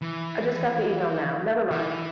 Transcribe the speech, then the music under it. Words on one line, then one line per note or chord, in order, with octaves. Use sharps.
I just got the email now, never mind!.
E3
E3